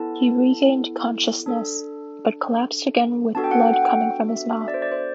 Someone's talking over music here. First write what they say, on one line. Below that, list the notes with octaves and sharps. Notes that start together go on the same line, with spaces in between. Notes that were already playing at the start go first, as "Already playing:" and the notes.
He regained consciousness, but collapsed again with blood coming from his mouth.
Already playing: B3 E4 A4 A5
D4 A4
B3 D4 F#4 A4 A5
G5
F#5
G5
F#5
G5
E5
E5
D5
C5
D5
C5